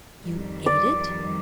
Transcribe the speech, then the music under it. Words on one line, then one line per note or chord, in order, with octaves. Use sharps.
"You ate it?"
F2 D#3 G3
D5